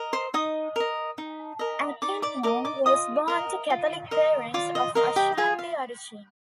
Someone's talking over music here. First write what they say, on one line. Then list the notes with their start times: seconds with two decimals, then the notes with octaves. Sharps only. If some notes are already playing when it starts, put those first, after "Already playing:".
Acheampong was born to Catholic parents of Ashanti origin.
Already playing: A#4 D#5
0.13 C5 C6
0.34 D#4 D#5 D#6
0.76 A#4 D#5
1.18 D#4
1.59 A#4 D#5
2.02 D#4 D5 D6
2.22 D5 D6
2.43 A#4 D5 D6
2.47 D#5
2.65 D5 D6
2.86 F4 D#5 D#6
3.28 A#4 D#5
3.70 F4
4.11 A#4 D#5
4.54 F4 D5 D6
4.75 D#5
4.95 A#4 D#5 F5
5.16 G4 G5
5.37 F4 G#4 G#5
5.59 F5